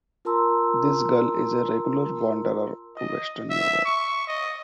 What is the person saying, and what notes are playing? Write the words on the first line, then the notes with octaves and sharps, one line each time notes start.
This gull is a regular wanderer to western Europe.
F4 A#4 A5 A#5 C6 E6
D#5
E5
C#6
D#5